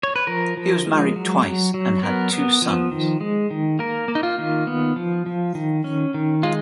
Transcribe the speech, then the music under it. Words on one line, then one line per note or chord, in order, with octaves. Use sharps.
He was married twice and had two sons.
C#5
B4
F3 A#4
F3
G#3
F#3
F#3
F#3
B3 A#4
B3
F3
D#3
G#3
D#3
A#3 A#4
A#3
D#4
F4
D#3
B3
F3
F3
D#3
C#4
D#3
G#3 F4